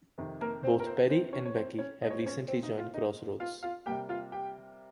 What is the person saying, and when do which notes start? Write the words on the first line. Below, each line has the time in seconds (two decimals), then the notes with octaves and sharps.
Both Perry and Becky have recently joined Crossroads.
0.18 F2 C3 D#3
0.41 A#3 A#4
0.63 C4 C5
0.80 A#4
0.86 C4 C5
1.10 C4 C5
1.33 C#4 C#5
1.45 C#5
1.55 C4 C5
1.79 C#4 C#5
2.01 A#2 D#5
2.05 G#3
2.11 C#5
2.19 C5
2.26 C#4 C#5
2.48 C4 C5
2.63 D#4 D#5
2.78 F4 F5
2.94 D#4 D#5
3.40 F4 F5
3.63 F4 F5
3.86 C3 G3 A#3 G4 G5
4.09 F4 F5
4.32 G4 G5